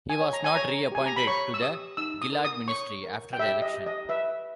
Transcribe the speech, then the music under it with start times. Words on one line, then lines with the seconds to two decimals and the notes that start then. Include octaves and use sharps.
He was not re-appointed to the Gillard Ministry after the election.
0.10 G#5
0.21 C#5
0.33 A#5
0.44 G#5
0.55 C#5 A#5
0.92 G4 G#5
1.06 A#5
1.16 B5
1.27 C#5 C#6
1.54 E6
1.62 G4 D#6
1.97 D#4 E6
2.22 D#6
2.33 A#4
2.45 D#6
2.68 C#5 C#6
3.03 A#4
3.33 G5
3.38 G4 E5
3.62 D#5
3.74 G4
3.86 D#5
4.09 B4 E5